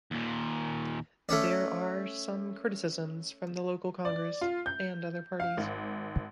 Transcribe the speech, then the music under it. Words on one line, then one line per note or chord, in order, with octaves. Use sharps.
There are some criticisms from the local congress and other parties.
D#2 A#2
A3 C#4 D5
D5
F4
G6
F5
G#1